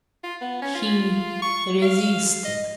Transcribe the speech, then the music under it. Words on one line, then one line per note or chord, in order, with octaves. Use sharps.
He resisted....
F4
B3
C#4
F4
C#6
F5
D#5